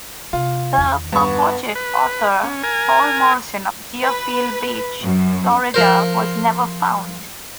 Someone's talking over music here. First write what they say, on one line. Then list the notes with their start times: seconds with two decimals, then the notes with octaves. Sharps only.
The purported author, Paul Morrison of Deerfield Beach, Florida, was never found.
0.33 C3 F4
0.78 E2 D#3
1.13 G2 B3 C#6
1.76 B4
2.44 C#4
2.63 A#4 G#5
4.01 B4
5.02 F#2
5.74 F3 A#4 C5